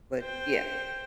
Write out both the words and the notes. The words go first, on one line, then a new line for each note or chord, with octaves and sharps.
but, yeah,
C5 G5